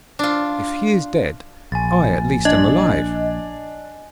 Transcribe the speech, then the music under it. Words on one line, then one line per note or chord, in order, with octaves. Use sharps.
If he is dead, I at least am alive.'
D4 F4
A#1 G#5 A6
D4 D#5